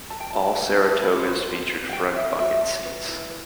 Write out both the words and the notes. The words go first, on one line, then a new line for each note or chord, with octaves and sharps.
All Saratogas featured front bucket seats.
A4 A5
G5
F#4 A5
A4
E4
A4 B4
C5
F#4
C5
G4 C5
B4
F#5
G4 G5
B4 E5
F#4 E5
A4
B4
E4
B4